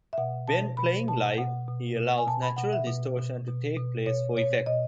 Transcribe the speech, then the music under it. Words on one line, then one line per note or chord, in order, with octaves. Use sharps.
When playing live he allows natural distortion to take place for effect.
E5
B2 F#5
B2 A5
B2 B5
B2 A5
B2 F#5
B2
B2
G#5
B2 A5
B5
B2 F#5
E5
B2
B2
B2
B2
B2 C#5
B2 C#5
B2 D#5